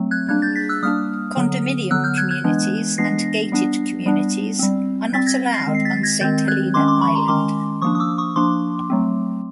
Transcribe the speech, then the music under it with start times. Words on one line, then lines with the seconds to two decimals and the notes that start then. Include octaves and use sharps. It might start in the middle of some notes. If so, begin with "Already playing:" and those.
Condominium communities and gated communities are not allowed on Saint Helena Island.
Already playing: F#3 A3 C4
0.11 F#6 G#6
0.29 G3 A#3 D4 F#6 G#6
0.42 G6 A6
0.56 A6 B6
0.69 E6 F#6
0.83 G3 A#3 D4 D#6 F6
1.37 D3 F#3 B3
1.91 D3 F#3 B3 E6 F#6
2.04 F6 G6
2.18 F#6 G#6
2.31 F#6 G#6
2.44 E3 G#3 B3 D4
2.98 E3 G#3 B3 D4 A#6 C7
3.52 G3 B3 D4
4.06 G3 B3 D4
4.59 G3 C4
5.13 G3 C4 A6 B6
5.26 G#6 A#6
5.53 A#6 C7
5.67 D#3 G#3 C4
5.75 C7
5.85 A6 B6
5.97 A6
6.03 G#6 A#6
6.21 D#3 G#3 C4 G6 A6
6.48 F#6 G#6
6.74 D#3 G#3 C#4 C6 D6
6.88 C6 D6
7.01 B5 C#6
7.15 A#5 C6
7.28 D#3 G#3 C#4 C6 D6
7.82 F3 A#3 D4 C#6 D#6
7.95 D#6
8.00 D6 E6
8.18 C#6 D#6
8.36 F3 A#3 D4 C6 D6
8.90 F#3 A3 C4